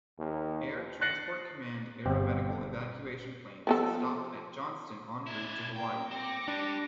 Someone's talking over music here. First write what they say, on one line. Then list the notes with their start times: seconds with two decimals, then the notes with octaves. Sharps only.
Air Transport Command aeromedical evacuation planes stopped at Johnston en route to Hawaii.
0.19 D#2
1.01 F#6 A6 A#6 C7 C#7 F#7
2.06 G1 C4 G4
3.67 F3 B3 A4
5.27 D4 E4 G#6
5.76 A#3 G5
6.11 C4 D6 A#6 C#7
6.48 D4 G4 B5